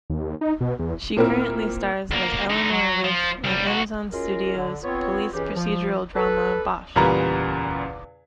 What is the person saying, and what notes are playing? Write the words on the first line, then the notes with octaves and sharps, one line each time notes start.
She currently stars as Eleanor Wish in Amazon Studios' police procedural drama "Bosch".
D#2
D#4
B2
E2
A#2 A#3 C4 E4 A#4
D2 A#3
D3 D#4
F#3
F3
C2 G3
B1 F#4
F#3 G#3 C#4 F4 A#4
D3
B3 C4 F4 C#5
C#2 C#3 E3 C#4 G4
F3
A4 B4
E2 A#2 C#3 G3 B4 A#5